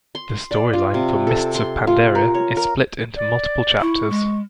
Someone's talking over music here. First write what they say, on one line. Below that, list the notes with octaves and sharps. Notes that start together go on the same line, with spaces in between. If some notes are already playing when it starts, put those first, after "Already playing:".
The storyline for "Mists of Pandaria" is split into multiple chapters.
C6
D5
F4
C3
A4
C6
F4
A#4
C#5
A#4
D5
E4 C#6
G#3